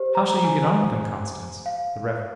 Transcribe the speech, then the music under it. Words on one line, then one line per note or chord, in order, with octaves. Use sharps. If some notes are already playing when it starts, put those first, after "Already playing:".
"How shall you get on with them, Constance?" the Rev.
Already playing: G4 C5
A#5
G#5
F5